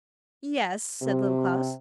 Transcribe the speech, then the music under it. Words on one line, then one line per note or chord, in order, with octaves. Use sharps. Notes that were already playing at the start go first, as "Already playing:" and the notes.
'Yes,' said Little Klaus.
C3